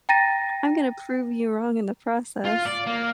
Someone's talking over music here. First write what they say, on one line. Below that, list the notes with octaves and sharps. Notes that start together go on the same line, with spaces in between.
I'm gonna prove you wrong in the process."
G5 A#5 A6 A#6 D#7
F4
D5
A#3